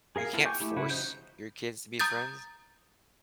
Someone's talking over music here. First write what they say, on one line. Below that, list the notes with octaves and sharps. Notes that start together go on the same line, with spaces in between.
you can't force your kids to be friends,
G#4 A#4 F5 G#5
A#3 B3 E4 F4 A5
G5 G#5 C#6 D6 G6
A3 E4 G4
C#3 E4 F#4 B4
F3 D#4 C5 G6
A#5 D#6 G6 A6